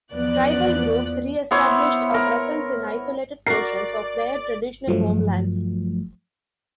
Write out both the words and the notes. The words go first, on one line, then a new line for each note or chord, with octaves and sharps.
Tribal groups reestablished a presence in isolated portions of their traditional homelands.
E2 F3 B3 D5 F#6
B3 E4 C5 C#5
A#4
F#4 A#4 D5 C7
G2 F3 F#3 A3